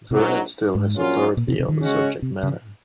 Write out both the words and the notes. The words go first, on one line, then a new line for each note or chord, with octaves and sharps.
Vernet still has authority on the subject matter.
A#1 G#2 C3 F#3
G#2
A#1 A#2 F#3 C#4 F4
A#2
C3
C3
D#3
C#3 G#3 C#4 F#4
C3
C#3